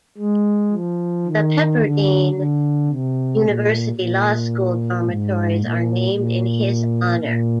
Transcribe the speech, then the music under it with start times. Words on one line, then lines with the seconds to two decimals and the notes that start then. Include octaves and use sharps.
The Pepperdine University Law School dormitories are named in his honor.
0.18 G#3
0.71 F3
1.26 D#3
1.80 D3
2.34 D3
2.88 C3
3.41 A#2
3.96 A#2
5.04 G#2
5.58 A#2
6.12 A#2
7.20 A#2